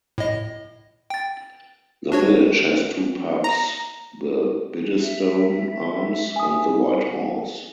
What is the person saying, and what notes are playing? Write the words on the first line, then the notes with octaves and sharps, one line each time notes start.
The village has two pubs, the Biddestone Arms and the White Horse.
A2 D#5
G5 A6
D4 F#4 C#5
A#5
E5
G#5 D#6